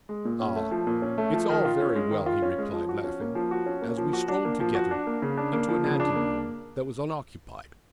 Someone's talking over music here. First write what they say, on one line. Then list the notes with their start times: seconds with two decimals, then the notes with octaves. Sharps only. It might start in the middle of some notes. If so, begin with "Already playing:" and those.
"Ah, it's all very well," he replied, laughing, as we strolled together into an ante-room that was unoccupied.
0.09 G#3
0.25 A#2
0.40 C#4
0.56 A3
0.71 F3
0.87 A#2
1.02 C#4
1.18 A3
1.33 F3
1.49 D#3
1.65 F4
1.80 C#4
1.96 G#3
2.11 D#3
2.26 F4
2.42 C#4
2.58 G#3
2.73 F3
2.89 F#4
3.04 C#4
3.21 A#3
3.35 F3
3.51 F#4
3.66 C#4
3.82 A#3
3.98 F3
4.13 F#4
4.28 D4
4.45 A#3
4.60 F3
4.75 F#4
4.91 D4
5.06 A#3
5.22 C#3
5.38 D4
5.53 A#3
5.69 F3
5.84 C#3
6.00 D4
6.15 A#3